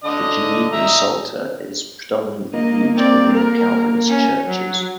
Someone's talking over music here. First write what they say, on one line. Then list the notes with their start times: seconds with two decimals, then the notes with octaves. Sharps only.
The Genevan Psalter is predominantly used within the Calvinist churches.
0.04 D3 D#5 D#6
0.73 E5 A#5 D#6
2.54 A#3 D#5
2.96 C4 D5
3.33 A#4
4.08 C#4
4.48 F#3